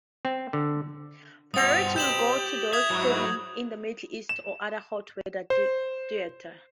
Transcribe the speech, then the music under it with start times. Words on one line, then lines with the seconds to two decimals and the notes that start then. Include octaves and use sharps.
Priority will go to those serving in the Middle East or other hot-weather theaters.
0.25 C4
0.53 D3
1.54 G2 B2 C4 F#5 D#6 A6 F7
1.96 G4 G6 E7 F#7
2.73 E5 D#6 G#6
2.90 G#2 F#3 E4 F#4
4.29 E7
5.50 C5